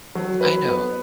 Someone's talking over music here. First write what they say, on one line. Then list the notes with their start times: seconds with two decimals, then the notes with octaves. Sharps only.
I know.
0.15 F#3
0.41 B4
0.65 B3